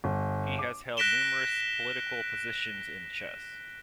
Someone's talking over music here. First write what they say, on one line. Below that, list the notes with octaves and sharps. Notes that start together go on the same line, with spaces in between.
He has held numerous political positions in chess.
G1
D6
F#6 A#6 B6 D7 E7 G7